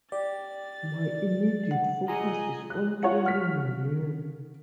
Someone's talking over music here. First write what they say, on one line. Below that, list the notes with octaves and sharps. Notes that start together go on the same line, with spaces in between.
My immediate focus is on clearing my name.
G4 D5 A6
F#5
F4 G#4 D#5 G#5 A#5
F#6
F4 C#5 F#5
F6 B6